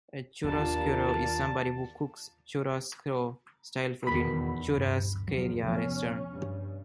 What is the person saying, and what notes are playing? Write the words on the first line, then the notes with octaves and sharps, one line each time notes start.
A "churrasqueiro" is somebody who cooks "churrasco" style food in a "churrascaria" restaurant.
D#2 D4 F4 G4 A#4 D5 A5
E2 B2 D#3 B5
D1 G2
E2 F3 F#3
C3 F3 B3 C#4
G2